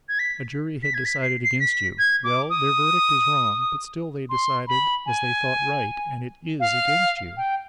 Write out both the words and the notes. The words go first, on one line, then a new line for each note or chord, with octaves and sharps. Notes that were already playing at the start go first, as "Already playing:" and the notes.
A jury had decided against you; well, their verdict is wrong, but still they decided as they thought right, and it IS against you.
G#6
B6
B6
G#6
B6
C7
C7
B6
G#6
D6
D#6
C6
B5
G#5
F5
G5